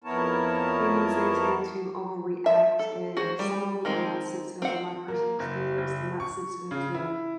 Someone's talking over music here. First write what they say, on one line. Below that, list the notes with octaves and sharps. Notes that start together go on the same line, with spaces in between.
humans, they tend to overreact, and some of 'em are not sensitive in my person experience, they're not sensitive to
F2 B3 E4 A#4 C#5 A5
E5
A4
F#4 G#4 C5
G3
D#3 G#3 C4
C4 F#5
A#3
F#1
F#1
C#6
C#3
E4